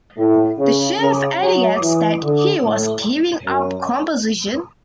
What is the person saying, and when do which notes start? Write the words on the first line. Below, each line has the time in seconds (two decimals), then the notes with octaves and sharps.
The shift indicates that he was giving up composition.
0.18 A2
0.58 C#3
0.99 C#3
1.40 F#3
1.81 E3
2.22 D3
2.64 A2
3.46 F#2